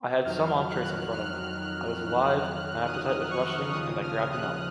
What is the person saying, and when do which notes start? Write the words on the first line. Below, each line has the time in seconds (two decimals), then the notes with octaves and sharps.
I had some entrees in front of me, I was alive, my appetite was rushing, and I grabbed an olive.
0.24 F2 D#3 F#3 F6
0.68 F#6
1.11 F6
2.87 D#6
3.30 C#6
3.73 D#2 C#3 F3 D#6
4.02 F6
4.32 F#6